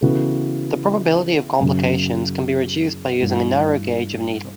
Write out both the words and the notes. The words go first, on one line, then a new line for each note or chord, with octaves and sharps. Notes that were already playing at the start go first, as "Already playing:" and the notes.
The probability of complications can be reduced by using a narrow gauge of needle.
C#3 E3 B3 F#4 A4
F#2 C#3 F#3
G2 E3 A3